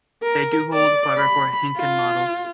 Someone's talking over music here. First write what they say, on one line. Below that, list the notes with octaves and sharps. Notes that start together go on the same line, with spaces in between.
They do hold however for Henkin models.
A#4
D5
B5
F4